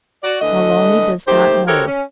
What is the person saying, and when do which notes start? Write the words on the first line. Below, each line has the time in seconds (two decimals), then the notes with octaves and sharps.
Maloney does not know.
0.24 F#4 D5
0.41 D3 E3 A3 D#5
1.28 D#3 A3 G4 C5
1.68 F#4 G4 A4 A#4 C5 C#5
1.87 C#4